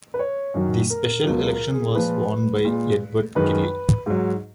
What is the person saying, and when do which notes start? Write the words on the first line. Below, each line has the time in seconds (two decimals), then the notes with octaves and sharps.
The special election was won by Edward Kelly.
0.14 B4
0.19 C#5
0.54 F#2 D#3 F#3
0.90 A#4
1.24 C#2 B2 F#3 A#4
1.48 A#4
1.72 G#4
1.94 A#2 F3 G#3 B4
2.65 A#2 G#3
3.35 F#2 D#3 G#3 B4
4.06 G#2 F#3